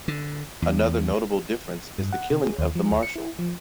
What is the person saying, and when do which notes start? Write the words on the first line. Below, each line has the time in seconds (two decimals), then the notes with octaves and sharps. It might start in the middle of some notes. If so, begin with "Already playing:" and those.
Another notable difference is the killing of the Marshall.
0.08 D3
0.62 E2
1.98 G2
2.12 F#5
2.31 C3
2.43 G#4
2.59 D#2
2.75 F3
2.91 D#2
3.03 C#7
3.16 E4
3.39 F3